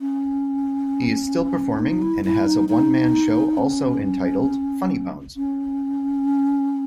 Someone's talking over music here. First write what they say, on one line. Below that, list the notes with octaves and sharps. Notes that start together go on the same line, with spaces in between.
He is still performing and has a one-man show also entitled Funny Bones.
C#4
D#4
E4
E4
D#4
D#4
C#4
C#4